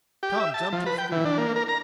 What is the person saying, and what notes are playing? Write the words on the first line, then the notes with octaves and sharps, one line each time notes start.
Tom jumped to his feet.
G4
E5
A5
F3
B4
G5
E3
D4
A#3
A#4
A#5